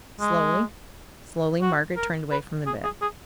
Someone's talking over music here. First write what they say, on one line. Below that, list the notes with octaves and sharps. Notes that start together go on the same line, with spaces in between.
Slowly, slowly Margaret turned away from the bed.
G#3
F#4
A#4
B4
G#4
G#4
G#4